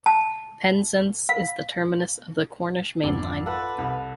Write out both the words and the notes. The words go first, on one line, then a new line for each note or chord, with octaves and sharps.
Penzance is the terminus of the Cornish Main Line.
A5
F5
G#1 F2 D5
F4 A4 B4 F#5
C2